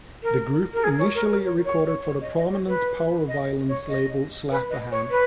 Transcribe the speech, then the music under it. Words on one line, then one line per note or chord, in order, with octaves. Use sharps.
The group initially recorded for the prominent powerviolence label Slap-a-Ham.
A#4
A#4
G#4
C#5
A#4
A#4
C#5
C#5
C#5
C#5
D#5
D#5
C#5
B4
D#5
C#5
D#5
B4
D#5
C#5
B4